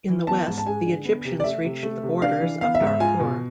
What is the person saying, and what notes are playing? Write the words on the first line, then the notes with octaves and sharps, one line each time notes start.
In the west the Egyptians reached the borders of Darfur.
E3
B3 A5
G#2
A5
G#3 G#5
D3
B3
C3
D5
A3 E5
C3
A3
C3
D4 F5
E3
B3 F5
E5
G#2
E5
F4 G#5
B2